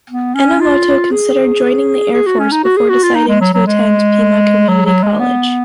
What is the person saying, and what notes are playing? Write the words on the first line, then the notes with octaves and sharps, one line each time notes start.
Enomoto considered joining the Air Force before deciding to attend Pima Community College.
B3
C#4
F4
G#4
G#4
F#4
C#4
D#4
F#4
G#4
F#4
F4
D#4
G#3
F#3
F#3
G#3
F#3
F#3
G#3
B3